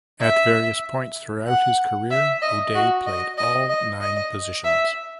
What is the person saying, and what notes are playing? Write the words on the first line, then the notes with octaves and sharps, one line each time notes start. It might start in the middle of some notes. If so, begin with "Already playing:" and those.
At various points throughout his career, O'Day played all nine positions.
E5
F#5
E5
D#5
F#4
D#5
D#5
D#5
D#5
E5